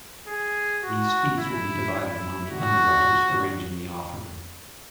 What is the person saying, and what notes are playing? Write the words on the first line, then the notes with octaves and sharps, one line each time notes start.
These fees will be divided among the underwriters arranging the offering.
G#4
F#4
E4
E4
F#4